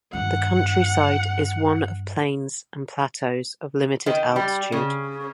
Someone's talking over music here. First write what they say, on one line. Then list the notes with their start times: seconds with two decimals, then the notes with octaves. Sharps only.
The countryside is one of plains and plateaux of limited altitude.
0.13 G2 D#3 F#5
4.06 D#3
4.36 G3
4.72 C#3